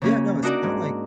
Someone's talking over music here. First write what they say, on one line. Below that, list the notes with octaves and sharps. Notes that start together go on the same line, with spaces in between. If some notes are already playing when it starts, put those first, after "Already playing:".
Yeah, no, it's kinda like
C#3 A#3 C#4
D4 D#4 F#4 A#4 D5
G#2